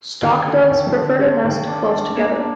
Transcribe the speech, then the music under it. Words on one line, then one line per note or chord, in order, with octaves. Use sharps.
Stock doves prefer to nest close together.
D#2
D3
D#2
D3
G#3
D#2
D4
D4
A#3
D4